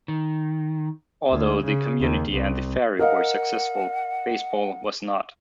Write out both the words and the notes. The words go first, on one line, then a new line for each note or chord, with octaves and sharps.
Although the community and the ferry were successful, baseball was not.
D#3
D2
C#3
D#2
C2
A#4 D#5 F5 F#5